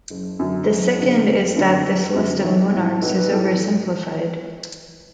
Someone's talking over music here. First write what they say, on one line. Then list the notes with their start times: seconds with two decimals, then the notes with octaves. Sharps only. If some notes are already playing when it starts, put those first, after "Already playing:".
The second is that this list of monarchs is oversimplified.
0.10 F#1
0.39 F#2 D3
0.69 F#1
0.98 F#2 D3
1.27 F#1
1.56 F#2 D3
1.85 F#1
2.15 F#2 D3
2.44 B1 C#5
2.74 A2
3.02 B1 B4
3.18 B4
3.32 A2 A4